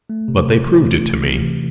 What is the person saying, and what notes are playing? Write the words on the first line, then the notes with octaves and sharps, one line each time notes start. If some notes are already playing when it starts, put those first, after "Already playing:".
But they proved it to me.
A3
C3
C3
E3
A3
C3
C3
E3